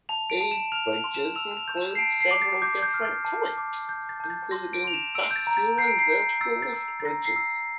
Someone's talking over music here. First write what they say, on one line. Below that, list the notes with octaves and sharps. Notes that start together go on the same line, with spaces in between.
These bridges include several different types, including bascule and vertical lift bridges.
A5 F7
D7
A5
E7
F6 F7
F7
C6
E7
E6 F7
F7
G6
E7
C7
A5 D7
C7
D6
A6
D6 G6
G6
F6
A6
A5
D6
G6
A6
A5 G6
A6
C6 A#6
D7
C6 F7
E7
E6 D7
G6
A6
A#5
A6
G6 C7
D7
C7
G6
E6 A6
A6
E6
A6
A#5 A#6
C7
E6